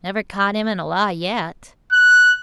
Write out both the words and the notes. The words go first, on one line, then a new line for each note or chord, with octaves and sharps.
Never caught him in a lie yet.
F#6